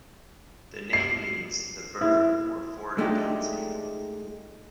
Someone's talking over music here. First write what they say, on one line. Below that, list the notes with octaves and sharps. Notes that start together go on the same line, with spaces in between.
The name means 'the burgh or fort of Dene's people'.
C7
E4
G#3 A3 D4 D#4 F4 G4